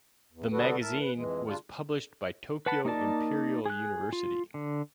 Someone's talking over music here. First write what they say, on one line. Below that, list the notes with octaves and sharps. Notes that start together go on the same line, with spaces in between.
The magazine was published by Tokyo Imperial University.
E2
D3 G3 B3 F#4 A4 B4
A2 A#4 E5 A5
B4
F2 E3 G#3
C#3 G3 D4 F4
B4 F#5 A5 B5
A#3 D#4 A#4 D5 A5
G#4 F#6
F4
D3